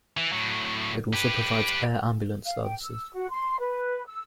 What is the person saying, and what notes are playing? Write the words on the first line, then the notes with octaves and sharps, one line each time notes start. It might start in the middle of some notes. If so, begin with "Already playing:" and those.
It also provides air ambulance services.
E3
A2 F#3
G4 B4
F5
G5
E6
F#4
C6
B4
E6